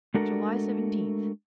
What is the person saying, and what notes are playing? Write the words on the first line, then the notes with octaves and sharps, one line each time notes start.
July Seventeenth.
G#3 A3 D4 F#4 A4 A#4